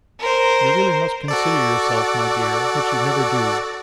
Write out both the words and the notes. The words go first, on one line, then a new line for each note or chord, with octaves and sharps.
'You really must consider yourself, my dear, which you never do.
A#4 C5
F#4 A4 D5